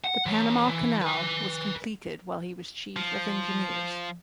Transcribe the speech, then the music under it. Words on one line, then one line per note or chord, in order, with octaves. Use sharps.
The Panama Canal was completed while he was Chief of Engineers.
F#5
E3 C#5
E3
B4 G#5
F3